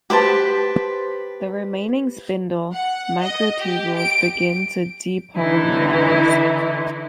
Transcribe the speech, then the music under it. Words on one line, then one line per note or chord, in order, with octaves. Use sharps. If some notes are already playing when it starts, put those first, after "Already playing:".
The remaining spindle microtubules begin to depolymerize.
G4 B4 C5 A5
F#5
D#5
G4
D7
D3 E3 D#4 E4